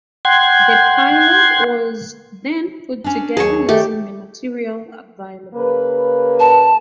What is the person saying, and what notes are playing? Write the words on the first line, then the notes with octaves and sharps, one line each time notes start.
The pilot was then put together using the material available.
F#5 G5 C6 G#6
C#4 D4
D#2 F#3 G#4 C#5 A5
D#3 A3 G4
C#3 A#3 B4
A5